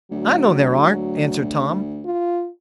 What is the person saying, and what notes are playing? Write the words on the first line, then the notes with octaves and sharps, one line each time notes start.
"I know there aren't," answered Tom.
D2 F#3
F4